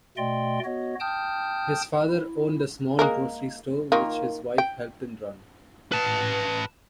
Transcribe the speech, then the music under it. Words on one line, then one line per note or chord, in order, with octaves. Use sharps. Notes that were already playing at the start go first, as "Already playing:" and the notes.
His father owned a small grocery store, which his wife helped him run.
B2 A3 D5 D#5 G5 C6
B3 F#4 C#5 D#5
G5 A5 D#6 F6 G6
E4
G#3 A#3 A#4
D#3 A#3 F4
G5
B4 A5